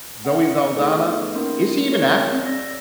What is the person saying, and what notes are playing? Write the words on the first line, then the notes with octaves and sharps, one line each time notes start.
Zoe Saldana, is she even acting?
B4 E5 F#5
C#7
A3 B3 D#4 G#4 A4 B4
A#3 C#4 D#4 A#4 C6
G#4 A#4 C#5
D5 E6 A#6